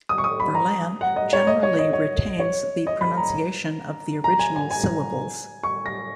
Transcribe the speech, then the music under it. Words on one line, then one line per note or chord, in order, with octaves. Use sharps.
"Verlan" generally retains the pronunciation of the original syllables.
D#6
C#6
D#6
B5
A#5
F#5
D#5
C#5
D#5
C#5
D#5
C#5
C#5
D#5
B5
A#5
A#5
G#5
G#5
G#5
C#6
A#6